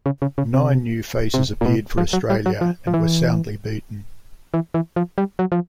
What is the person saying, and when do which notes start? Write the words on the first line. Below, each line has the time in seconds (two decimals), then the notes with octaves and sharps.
Nine new faces appeared for Australia, and were soundly beaten.
0.06 C#3
0.22 C#3
0.38 C#3
0.54 C3
1.34 C3
1.61 A#2
1.66 B2
1.98 F3
2.13 F#3
2.30 G3
2.46 F#3
2.61 F3
2.87 F3
2.94 E3
4.54 E3
4.74 E3
4.96 F3
5.18 G3
5.39 F#3
5.52 F3